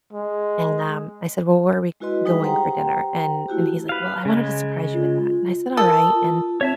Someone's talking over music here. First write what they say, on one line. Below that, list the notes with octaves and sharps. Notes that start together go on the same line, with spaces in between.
and, um, I said, "Well, where are we going for dinner?" And and he's like, "Well, I wanted to surprise you with that," and I said, "All right," and,
G#3
G#3 E4 F#4 B4 D#5 C6
G3 D#4 G#4 B4 G#5
G4 C5 F#5 G5 A#5 C6
A3 E4 F#4 G4
B4 F5
C#3 G#3
F4
A4 A#4 D#6
F4
C4 C#5 E5 A5